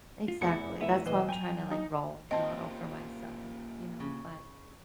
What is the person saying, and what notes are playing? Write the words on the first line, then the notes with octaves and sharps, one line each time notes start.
Exactly, that's why I'm tryna, like, role model for my son, you know, but
F4
F1 E2 E4 C#7
F1 B3 E4 E5
B1 E3 C5 D#5
F#3 G5 G#5 F7
D#4
A#3 C4 F4 G4 D#5 A5
C#3